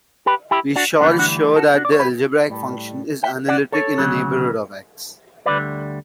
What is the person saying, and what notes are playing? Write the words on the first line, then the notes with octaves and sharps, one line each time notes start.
We shall show that the algebraic function is analytic in a neighborhood of "x".
G4 B4
E4 G4
D4 F#4
D2 C#3 E3 G3 B3 D4
D4 F#4
F#4 A4
D4 F#4
D5
C#5
G4 B4
A2 G3
E5 G5
D5 F#5
A4 C#5
D2 C#3 F#3
D2 D3 G3 B4 D5